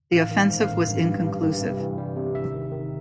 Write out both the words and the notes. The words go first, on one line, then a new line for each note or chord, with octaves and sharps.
The offensive was inconclusive.
A1 F5
D#3
G#2
F5
A1
G2
G2
G2
G2
C3
E3
G3
C3
G#1 E5
D#3
D#3